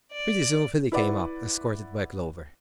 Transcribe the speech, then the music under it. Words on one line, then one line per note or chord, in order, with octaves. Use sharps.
Pretty soon Philly came up, escorted by Clover.
D5
E4 B4 D5 F#5